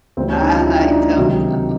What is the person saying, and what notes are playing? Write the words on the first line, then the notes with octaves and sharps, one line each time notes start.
Uh, I don't know.
D2 C#3 E3 G3 C4
C#4
D#4
F4
E4
D4
D#4
C#2 C3 D#3 F#3